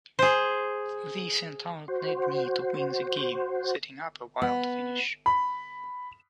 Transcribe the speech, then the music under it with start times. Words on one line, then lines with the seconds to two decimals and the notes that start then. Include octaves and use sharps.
They sent out Nedney to win the game, setting up a wild finish.
0.19 G#4 C5
1.88 F#4 C5
4.42 B3
5.26 B5